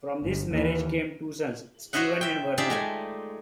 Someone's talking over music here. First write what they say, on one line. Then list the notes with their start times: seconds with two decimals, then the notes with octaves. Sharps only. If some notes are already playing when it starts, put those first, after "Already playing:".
From this marriage came two sons, Steven and Werner.
0.23 G1
0.51 D#2 E3
1.93 F#4 C5 C#5 D#5 E5 F#5
2.21 E5 G5
2.58 D#4 F4 G4 G#4 D5 E5
2.70 G#3 A3 G#5